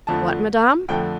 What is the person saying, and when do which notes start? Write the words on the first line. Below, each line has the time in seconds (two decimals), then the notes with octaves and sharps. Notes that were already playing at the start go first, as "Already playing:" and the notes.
"What, madame?"
0.07 F2 D3 F3 A3 A5
0.88 F2 D3 F3 A3 G5